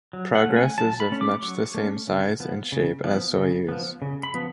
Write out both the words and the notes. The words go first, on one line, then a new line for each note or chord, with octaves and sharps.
Progress is of much the same size and shape as Soyuz.
F#3
F#5
A3 C#4
G#5
F#3 A5
B5
A3 C#4
D6
F#3 C#6
A3 C#4
C#3
F3 B3
C#3
F3 B3
C#3
F3 B3
C#3
B5
F3 B3